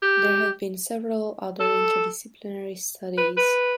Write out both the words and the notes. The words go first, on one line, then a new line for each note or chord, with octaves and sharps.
There have been several other interdisciplinary studies.
G4
A4
B4
B4